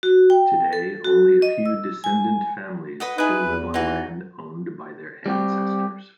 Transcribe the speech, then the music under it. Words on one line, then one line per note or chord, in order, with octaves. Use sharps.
Today, only a few descendant families still live on land owned by their ancestors.
F#4
G5
A4
F#4
D#5
E6
G#5
B4 D#5 F#5
D#4 E4 G#4 B4
E2
E3 D#4 F#4
G3 C4 G4